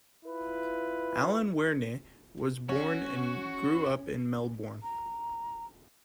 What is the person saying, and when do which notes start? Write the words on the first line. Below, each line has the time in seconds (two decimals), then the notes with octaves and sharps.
Alan Wearne was born and grew up in Melbourne.
0.25 E4 F4 B4
2.69 C#4 F#4
4.83 A#5